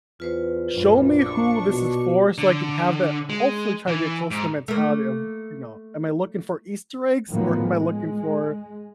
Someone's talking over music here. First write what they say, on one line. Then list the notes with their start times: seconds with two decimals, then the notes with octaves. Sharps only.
Show me who this is for, so I could have that" Hopefully try to get close to the mentality of, you know, "Am I looking for Easter eggs or am I looking for
0.20 E2 F4 B4 C5
0.73 A#1 F#2 A2
1.19 D4 C#6 D6
1.68 B2
2.38 D3
3.30 G#3
3.88 E3
4.31 G#2
4.68 A3 A#3
7.30 A2 D#3 F3 F#3 A#3 B3
7.62 G#3